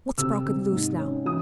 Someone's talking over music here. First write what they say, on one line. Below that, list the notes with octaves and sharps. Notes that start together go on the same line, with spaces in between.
What's broke loose now?
C3 E6
C3
G#2
C#4
E3 D#6